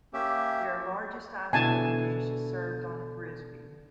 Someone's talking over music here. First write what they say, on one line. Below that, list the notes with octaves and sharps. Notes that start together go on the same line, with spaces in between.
Their largest ice cream dish is served on a frisbee.
A#3 C#4 G4 E5
B2 D3 E4 G#5 A5